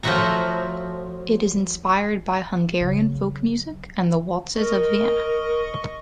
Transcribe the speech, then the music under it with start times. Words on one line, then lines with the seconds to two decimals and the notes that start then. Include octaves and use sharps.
It is inspired by Hungarian folk music and the waltzes of Vienna.
0.03 F3 F#3 A3 F#4 E5 A#5
2.81 C#3 F#3
4.57 A#4 D#5 C#6